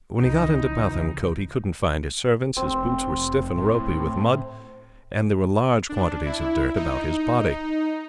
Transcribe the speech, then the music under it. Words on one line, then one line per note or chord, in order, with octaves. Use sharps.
When he got into Pathankote, he couldn't find his servants, his boots were stiff and ropy with mud, and there were large quantities of dirt about his body.
D1 C2 C#3 E3 F3 D#4
F1 C4
A2
D4
E4
D#4